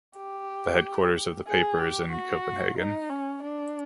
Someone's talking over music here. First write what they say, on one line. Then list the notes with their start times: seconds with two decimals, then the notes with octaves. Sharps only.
The headquarters of the paper is in Copenhagen.
0.16 G4
1.47 G#4
1.79 G4
2.12 F#4
2.78 D#4
3.09 C#4
3.43 D4